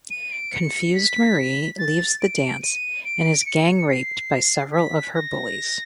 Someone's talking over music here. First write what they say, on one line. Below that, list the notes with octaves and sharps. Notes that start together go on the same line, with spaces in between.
Confused Marie leaves the dance and is gang raped by several of her bullies.
D#7
D7
C#7
B6
A6
D7
D#7
D7
D7
C#7
C#7
C7
B6
A#6